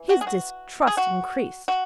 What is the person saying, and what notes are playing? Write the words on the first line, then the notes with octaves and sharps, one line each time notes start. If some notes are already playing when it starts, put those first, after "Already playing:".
His distrust increased.
Already playing: E3
F#4
G#4
F#4
G#4
F#4
F#4